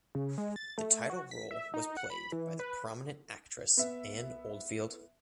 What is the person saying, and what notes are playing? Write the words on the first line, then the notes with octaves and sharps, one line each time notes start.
The title role was played by the prominent actress Anne Oldfield.
C#3
G#3
A6
A3
F#4
B6
E5
D#4
F#5
B5
E3
B4
B3 E5